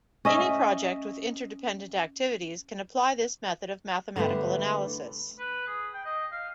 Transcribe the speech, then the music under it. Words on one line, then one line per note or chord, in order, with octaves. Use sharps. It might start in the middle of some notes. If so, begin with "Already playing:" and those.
Any project with interdependent activities can apply this method of mathematical analysis.
C#4 D#5 E5
D3 G3 A3 B3 E4
B4
G#4
G5
D#5
F5